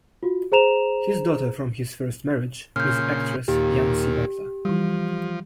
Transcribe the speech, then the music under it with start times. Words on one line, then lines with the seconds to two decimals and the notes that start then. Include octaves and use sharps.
His daughter from his first marriage is actress Yancy Butler.
0.23 F4 F#4
0.52 G#4 C5 A#5 E7 F7
2.76 A#2 C#3 C6 F6 G6
3.48 D#2 A#2 G4
4.65 E3 F3 G3